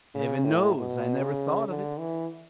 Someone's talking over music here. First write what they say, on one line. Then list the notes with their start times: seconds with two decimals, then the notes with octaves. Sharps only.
Heaven knows I never thought of it.
0.15 C#3
0.45 A2
0.77 B2
1.22 C#3
1.68 D3
1.99 E3